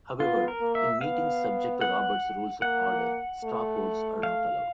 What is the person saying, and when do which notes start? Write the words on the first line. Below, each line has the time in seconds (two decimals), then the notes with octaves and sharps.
However, in meetings subject to Robert's Rules of Order, straw polls are not allowed.
0.20 B3 F4
0.48 A#4
0.61 A#3
0.75 E5
1.01 B3 F5
1.81 F#5
2.62 A#3 F#5
3.44 A3
4.23 F5